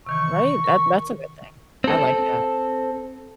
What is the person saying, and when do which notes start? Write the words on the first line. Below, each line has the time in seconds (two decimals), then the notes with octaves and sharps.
Right. That that's a good thing. I like that.
0.07 C3 D#3 E3 C#6
0.64 A#4
1.84 C4 A4